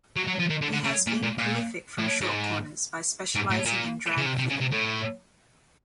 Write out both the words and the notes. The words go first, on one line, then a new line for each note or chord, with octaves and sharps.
He has been prolific from shortcorners by specialising in drag flicking.
F#3
F#3
F3
D#3
D3
D3
C#3
A#2
A#2
A#2
A2
G#2
G#2
A2
A#2
C#3
C3
C3
C#3
C3
A2